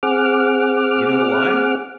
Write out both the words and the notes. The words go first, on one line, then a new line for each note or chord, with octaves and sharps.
you know why?
C4 G#4 F#5 D6 F6